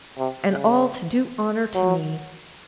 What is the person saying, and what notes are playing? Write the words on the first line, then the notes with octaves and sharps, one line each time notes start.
And all to do honour to me!'
C3
C#3
F#3